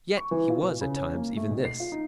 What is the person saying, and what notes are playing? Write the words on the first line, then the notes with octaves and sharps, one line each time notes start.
Yet he was at times even this.
C#6
E3
F4
B2
C#3
C#4
A#3
A3
B1
C7
F4
D#4